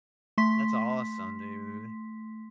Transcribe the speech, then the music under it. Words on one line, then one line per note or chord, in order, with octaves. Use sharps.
That's awesome, dude.
A3 C6 B6